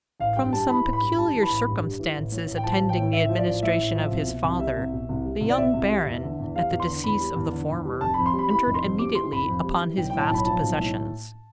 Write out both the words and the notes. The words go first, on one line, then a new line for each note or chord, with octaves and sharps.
From some peculiar circumstances attending the administration of his father, the young Baron, at the decease of the former, entered immediately upon his vast possessions.
A1 F5
G2 G5
G3 A5
E3 B5
A1
B5
G2
G3 A5
E3
B5
A1
G2
G3
E3
A1
A2
A1
G5
F3 A5
A1
G5
A2
A1 E5
F3
D5
A1
A2 E5
A1
F3
C2
B2
C2
G3 E5
C2
B2
C2
G3
C2
D5
B2 E5
C2
G3
E2
D3
E2
G3 F5
E2
C6
D3
E2 B5
G3
E2
D3
E2
G3
F1 A5
F2 B5
C6
G3
B5
E3 B5
F1
C6
F2
G3 D6
E3 C6
F1 B5
F2
G3
E3
B1 G5
A2 G5
A5
B1 B5
F3 A5
B1
A2